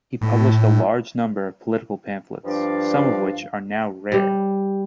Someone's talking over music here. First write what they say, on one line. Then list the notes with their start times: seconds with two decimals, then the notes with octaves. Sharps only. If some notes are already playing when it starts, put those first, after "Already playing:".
He published a large number of political pamphlets, some of which are now rare.
0.21 A2
2.44 G2 F3 D4 D5 F5
4.12 G3